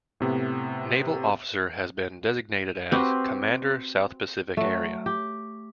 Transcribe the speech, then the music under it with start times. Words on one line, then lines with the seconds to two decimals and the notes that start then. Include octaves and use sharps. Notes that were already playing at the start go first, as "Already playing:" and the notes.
Naval officer has been designated as "Commander, South Pacific Area".
0.20 A2 C3 B3
2.92 C4 F#4 G4 B4
4.57 F#3 A3
5.06 G4